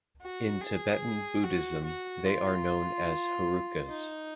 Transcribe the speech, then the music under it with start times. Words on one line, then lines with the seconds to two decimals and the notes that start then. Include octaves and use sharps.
In Tibetan Buddhism, they are known as Herukas.
0.22 F#4
0.62 G#4
1.43 F#4
1.84 F#4
2.25 F4
3.88 D#4